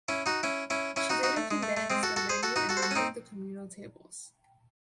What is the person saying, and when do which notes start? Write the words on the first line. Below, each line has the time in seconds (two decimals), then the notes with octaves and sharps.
She later condensed the menu and removed the communal tables.
0.08 C#4 E4
0.26 D#4 F#4
0.43 C#4 E4
0.70 C#4 E4
0.96 C#4 E4
1.10 D#4 F#4
1.23 D#4 F#4
1.37 A3
1.51 G#3
1.63 A3
1.77 A3
1.90 G#3 C4
2.03 F#4 A4
2.16 F#4 A4
2.29 G#4 C5
2.43 F#4 A4
2.56 D#4 F#4
2.69 F#4 A4
2.77 C5
2.82 F#4 A4
2.91 C#4
2.95 C4 D#4